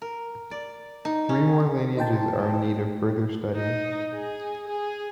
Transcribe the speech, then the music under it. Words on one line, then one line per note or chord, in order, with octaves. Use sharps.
Three more lineages are in need of further study.
A#4
D5
D#4
C#4
D#4 C5 G5 A5
D#4
G#4
G#4